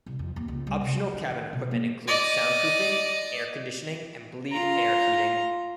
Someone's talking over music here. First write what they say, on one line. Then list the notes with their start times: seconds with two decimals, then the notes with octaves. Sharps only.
Optional cabin equipment includes soundproofing, air conditioning, and bleed air heating.
0.06 C2
0.19 F2
0.36 D#2
0.48 C#2
0.67 G3
0.81 C3
0.93 F#3
1.14 D4
1.30 D#3
1.53 B2
1.71 A#3
2.07 D5 D#5
4.52 F4 A#5